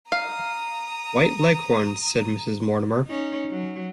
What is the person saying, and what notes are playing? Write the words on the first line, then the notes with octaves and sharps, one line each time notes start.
White Leghorns, said Mrs Mortimer.
F5 A#5 D#6
C#4 D#4
F#3